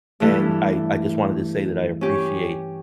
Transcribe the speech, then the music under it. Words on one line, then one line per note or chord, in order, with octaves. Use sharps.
and I I just wanted to say that I appreciate,
G2 E3 A3 A4
C#4 G4